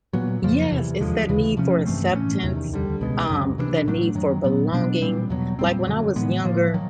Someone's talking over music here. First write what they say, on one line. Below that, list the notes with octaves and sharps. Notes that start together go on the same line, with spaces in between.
Yes, it's that need for acceptance, um, that need for belonging. Like, when I was younger,
A#2 F#3 B3
F2 C#3 F3 A#3
E2 C3 E3
D#2 D3 F3 G#3
D#2 C#3 E3
C3 F3 A3 C#4
G2 E3 A3 C4
A2 E3 A3 C#4
E2 C3 D#3
D2 D3 G3
C#2 B2 G#3
F#2 C#3 F#3
C3 E3 A3 D4
A2 F#3 A3 D4
F#2 D#3 F#3
A#2 F#3 B3
B2 F#3 B3 D4
A#2 G3 C4
E2 B2 F#3
A#2 G3 C4
F#2 D3 F#3
A2 E3 G#3 B3
A2 F3 A#3
D#3 F#3